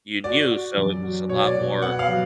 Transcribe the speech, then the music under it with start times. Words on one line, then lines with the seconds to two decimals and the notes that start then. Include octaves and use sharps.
you knew, so it was a lot more
0.24 F#4 D5
0.50 F#4
0.77 F#2
1.03 F#3
1.29 B2 C#5
1.47 D5
1.56 B2
1.81 B3 F#5
1.99 F5
2.08 F#3